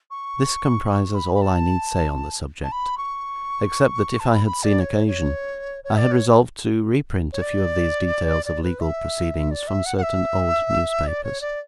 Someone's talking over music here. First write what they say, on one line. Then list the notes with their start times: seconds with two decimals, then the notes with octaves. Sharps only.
This comprises all I need say on the subject; except that if I had seen occasion, I had resolved to reprint a few of these details of legal proceedings, from certain old newspapers.
0.11 C#6
1.15 B5
1.34 B5
1.42 A5
2.64 A5
2.72 B5
2.98 C#6
4.20 A5
4.29 B5
4.46 B5
4.63 D5
4.80 C#5
5.07 C#5
5.84 C#5
5.94 E5
5.98 D5
6.12 C#5
7.33 C#5
7.42 D5
8.45 D5
8.63 B4
8.80 E5
9.51 D5
9.68 E5
9.86 F#5
9.97 F#5
10.03 E5
11.07 D5
11.24 C#5
11.41 D5